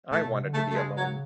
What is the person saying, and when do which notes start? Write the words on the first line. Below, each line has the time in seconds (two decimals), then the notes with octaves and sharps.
I wanted to be alone.
0.11 A#2 A3
0.24 B2
0.33 C3
0.44 D3
0.54 C#3 A3
0.70 A3
0.75 G#3
0.97 F#3